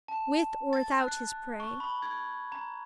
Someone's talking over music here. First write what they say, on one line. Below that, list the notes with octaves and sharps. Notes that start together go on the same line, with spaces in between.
With or without his prey!
A5
A6
F#6
C#6
B5
G#6
A#5